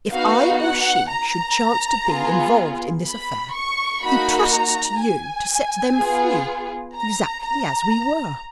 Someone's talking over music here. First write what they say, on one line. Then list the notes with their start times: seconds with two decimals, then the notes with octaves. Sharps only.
If I or she should chance to be Involved in this affair, He trusts to you to set them free, Exactly as we were.
0.13 B3 D#4 F#4 F5
0.62 F#5
1.11 A#5
2.08 B3 F4 G#4
3.06 B5
3.54 C#6
4.03 A#3 D#4 F#4 B5
4.53 A#5
5.01 G#5
5.99 B3 F4 G#4
6.96 A#5
7.45 A#5